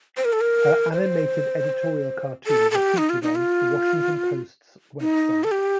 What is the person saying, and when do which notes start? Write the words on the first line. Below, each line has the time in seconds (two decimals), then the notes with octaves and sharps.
Her animated editorial cartoons are featured on "The Washington Post"'s website.
0.17 C5
0.25 A#4
0.33 A4
0.41 A#4
0.93 C5
2.46 A4
2.71 A4
2.75 G4
2.98 D#4
3.10 F4
3.23 D#4
3.35 F4
5.01 D#4
5.44 A4
5.51 G4